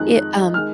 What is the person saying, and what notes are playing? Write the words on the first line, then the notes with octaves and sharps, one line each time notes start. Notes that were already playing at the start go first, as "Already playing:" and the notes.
Ye um
Already playing: F2 D#3 G#3 D#4 F#6
D#3 G#3 F6